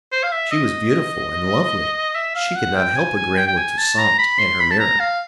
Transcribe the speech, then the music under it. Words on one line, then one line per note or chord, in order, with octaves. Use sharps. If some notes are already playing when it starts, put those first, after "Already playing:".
She was beautiful and lovely; she could not help agreeing with Toussaint and her mirror.
C5
F5
E5
D#5
E5
F5
F#5
G5
G#5
G#5
G5
G5
G#5
A5
A#5
B5
C6
B5
A5
A#5
F5